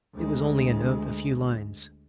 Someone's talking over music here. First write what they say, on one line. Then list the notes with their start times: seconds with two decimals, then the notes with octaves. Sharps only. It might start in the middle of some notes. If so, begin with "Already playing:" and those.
It was only a note, a few lines.
0.14 D2 G#3